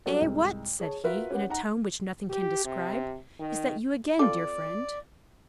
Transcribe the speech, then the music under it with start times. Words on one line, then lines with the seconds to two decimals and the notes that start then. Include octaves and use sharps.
"Eh! what!" said he, in a tone which nothing can describe, "is that you again, dear friend?"
0.06 F#3 G3 C#4 F#4 A4 D5
0.21 C2 G#2
0.80 G#4 C#5 A5
1.04 F4 F#4 A#4 B4 E5
1.31 C#4 G4 B4 F#5
1.50 D#4 F#5 A#5
2.29 G4
2.65 C3
3.40 D#3
4.19 C4 F4 A4 D5 D6